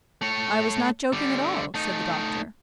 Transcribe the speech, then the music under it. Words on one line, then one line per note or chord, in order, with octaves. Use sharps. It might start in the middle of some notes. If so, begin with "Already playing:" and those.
"I was not joking at all," said the doctor.
A3 C#5
D3 G3
A3 D#4